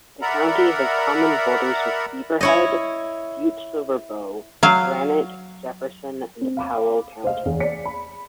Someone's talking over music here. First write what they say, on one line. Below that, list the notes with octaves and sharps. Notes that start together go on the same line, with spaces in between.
The county has common borders with Beaverhead, Butte-Silver Bow, Granite, Jefferson and Powell counties.
A#4 D5 E5 F#5 A#5 B5
E4 C#5 D#5
F#3 F5
C4
F5 B5 D6
C5 D#5 F5
E2
D5 B6 C#7
B5